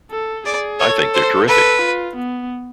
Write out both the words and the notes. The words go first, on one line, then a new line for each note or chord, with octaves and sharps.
I think they're terrific.
A4
G#4 D5
A4 C#5
C5
A4 B4
F4
B3